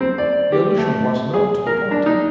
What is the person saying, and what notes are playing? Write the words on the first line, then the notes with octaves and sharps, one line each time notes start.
The allusion was not to the point.
C4
D5
G4
A3
G#4
A#4
D4
D#4